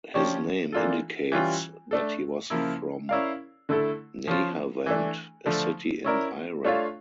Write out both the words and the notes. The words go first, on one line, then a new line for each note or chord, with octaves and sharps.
His name indicates that he was from Nahavand, a city in Iran.
F3 C#4 G4 D5
E3 A#3 D4 F4 A4
E3 G3 C#4 F4
A3 D4 A4
C#3 F3 A#3 E4
C#4 E4 A#4 D5 F5
D3 A3 E4 A4
F3 C#4 F4
E3 A3 D4
D3 F3 A3 D4
C#4 E4 A#4 D5
A3 D4 F4 C#5 F5